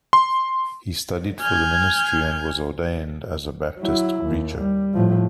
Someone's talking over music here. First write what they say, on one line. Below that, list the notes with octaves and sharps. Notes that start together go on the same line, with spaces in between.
He studied for the ministry and was ordained as a Baptist preacher.
C6
G#5 F6 G6 G#6
F#3 E4
D#2
G3
A2 F3